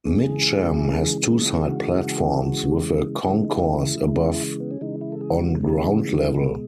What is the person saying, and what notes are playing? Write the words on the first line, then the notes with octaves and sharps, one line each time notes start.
Mitcham has two side platforms with a concourse above on ground level.
C#3 E3 G#3 G#4
C#3 E3 G#3
G#4
C#3 E3 G#3 F#4
C#3 E3 G#3
C#3 E3 G#3 F#4
E4
D#4
E4
C#3 E3 G#3
B3
C#4
C#3 E3 G#3 D#4
E4
A4
G#4
E4
F#4
C#3 E3 G#3
B2 G#3